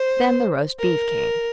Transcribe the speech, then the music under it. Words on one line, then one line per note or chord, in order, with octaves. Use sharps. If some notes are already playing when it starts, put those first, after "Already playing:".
Then the roast beef came.
Already playing: C5
A#4